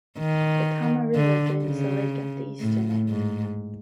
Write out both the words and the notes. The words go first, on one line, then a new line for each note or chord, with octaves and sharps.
The Tama River drains the lake at the eastern end.
D#3
D3
C#3
A2
G#2